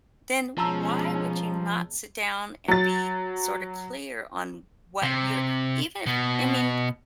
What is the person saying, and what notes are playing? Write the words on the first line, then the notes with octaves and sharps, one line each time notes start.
then why would you not sit down and be sorta clear on what you're even if I mean
B2 F3 G#3 C#4 A5 A#5 E6
F#3 A6
C3
B2